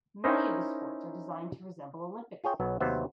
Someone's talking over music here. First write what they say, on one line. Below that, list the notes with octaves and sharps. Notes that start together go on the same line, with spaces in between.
Many of the sports are designed to resemble Olympic sports.
C#4 D#4 E4 A#4 C5 D#5
F4 G#4 C#5 G5
B1 F#3 B3
D#2 C3 F#3 B3 C5 E5